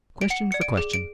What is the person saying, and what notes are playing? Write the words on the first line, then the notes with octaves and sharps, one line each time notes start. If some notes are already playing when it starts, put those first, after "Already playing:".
'Question for question.
D7
F#5 C#7
D5 C#7
D7
G#4
D7